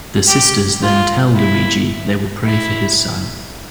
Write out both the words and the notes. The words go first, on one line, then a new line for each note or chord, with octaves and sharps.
The sisters then tell Luigi they will pray for his son.
G4
F4
E4
E4